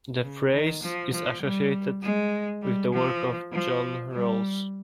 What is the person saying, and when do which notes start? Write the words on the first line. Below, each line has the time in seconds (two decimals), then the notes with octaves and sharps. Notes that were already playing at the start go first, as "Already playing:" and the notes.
The phrase is associated with the work of John Rawls.
0.22 C#3
0.53 D#3
0.83 F3
1.13 F3
1.42 G3
2.03 G#3
2.62 G3
2.92 F3
3.52 F3
4.12 G3